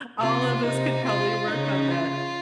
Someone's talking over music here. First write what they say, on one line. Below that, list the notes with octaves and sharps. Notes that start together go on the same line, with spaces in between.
all of us could probably work on that.
C3 F4
C3 D#4
F4
C#3 D#4
F4